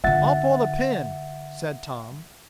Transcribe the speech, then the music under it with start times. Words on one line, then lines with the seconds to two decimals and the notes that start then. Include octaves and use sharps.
"I'll pull the pin," said Tom.
0.04 D3 F4 E5 F#5 A6